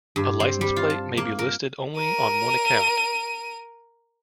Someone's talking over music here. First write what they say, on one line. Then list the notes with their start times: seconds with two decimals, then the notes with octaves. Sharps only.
A license plate may be listed only on one account.
0.16 G2
0.40 C4
0.61 G3
0.76 F4
0.90 A5
1.17 A#3
1.39 A#4
1.96 A#4 D#7